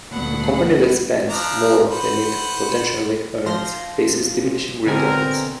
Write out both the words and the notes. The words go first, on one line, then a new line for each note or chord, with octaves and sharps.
A company that spends more than it potentially earns faces diminishing returns.
D2 A#2 G3 B3 F#5 B5
F3 D4 A#5
B4 C5 F#5
F3 C6 A#6
B2 D3 C4 A#4 G#5